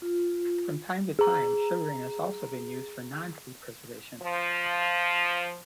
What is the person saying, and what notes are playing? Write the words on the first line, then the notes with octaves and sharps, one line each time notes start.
From time to time sugaring has also been used for non-food preservations.
F4
G#4 A#5
F3